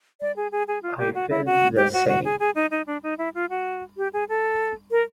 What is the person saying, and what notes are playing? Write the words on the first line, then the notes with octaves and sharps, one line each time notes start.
I felt the same.
D5
G#4
G#4
G#4
F4
G4
F#4
E4
F#4
G4
F#4
F#4
G#4
G#4
D#4
D#4
D4
D#4
E4
F4
F#4
G4
G#4
A4
A#4